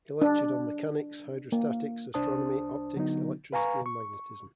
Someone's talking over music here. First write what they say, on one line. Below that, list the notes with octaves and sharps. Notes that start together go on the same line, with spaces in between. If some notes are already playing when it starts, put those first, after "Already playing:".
He lectured on mechanics, hydrostatics, astronomy, optics, electricity and magnetism.
D4
A#3
C2 D4 C5 A5 D#6
D3 F#3 B3 D#4
B4 F5 G#5 A#5 C#6
C#6